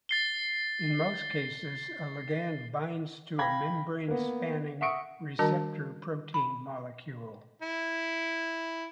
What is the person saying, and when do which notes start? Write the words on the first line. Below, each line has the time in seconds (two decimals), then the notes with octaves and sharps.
In most cases, a ligand binds to a membrane-spanning receptor protein molecule.
0.09 A6 C7 G7
3.38 F5 G5 B5 G#6 A#6
4.08 A#3 B3
4.81 E5 F#5 C#6 D#6 C#7 D7
5.39 D#3 G3 D4 F#4 A#4 A5
6.34 B5
7.62 E4